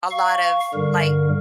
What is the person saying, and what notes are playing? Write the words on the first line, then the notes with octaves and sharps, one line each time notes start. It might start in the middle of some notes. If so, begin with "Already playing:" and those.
a lot of, like
F5 C#6
G2 D3 G3 A#4